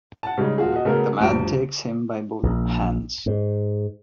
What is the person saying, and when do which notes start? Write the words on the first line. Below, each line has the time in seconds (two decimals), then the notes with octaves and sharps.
The man takes him by both hands.
0.23 F#5 A5
0.38 C#3 G3 G#3 D#4
0.58 D#1 F4 F#4 G#4
0.72 F#4 D#5
0.85 C#3 A3 B3 F#4 G#4 A#4
1.20 G1 D2 F3 G3 D7
2.43 A#1
3.26 G#2